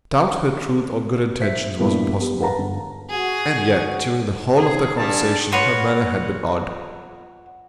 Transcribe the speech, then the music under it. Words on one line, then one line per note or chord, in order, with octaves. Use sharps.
To doubt her truth or good intentions was impossible; and yet, during the whole of their conversation her manner had been odd.
C5 E5 B6
G2 A#2 F3 B3 E4
B3 G4
B4 F5 F#5 A5 A#5
G1
F#4 G#4
G#4
G2 D3 G3 G#4 A5
F4 F#4 B4 C#5